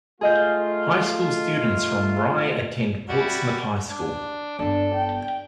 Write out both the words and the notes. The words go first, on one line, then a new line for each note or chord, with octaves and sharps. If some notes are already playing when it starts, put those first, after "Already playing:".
High school students from Rye attend Portsmouth High School.
A3 F4 G#4 D#5 G6
G3 E4 F#4
D4
G1 B3 D4 A4
G5